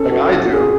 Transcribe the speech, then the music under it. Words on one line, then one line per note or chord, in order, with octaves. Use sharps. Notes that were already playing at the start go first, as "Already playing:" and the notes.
Like I do.
Already playing: C#4 A4
F#4
C#4
C#4 G#4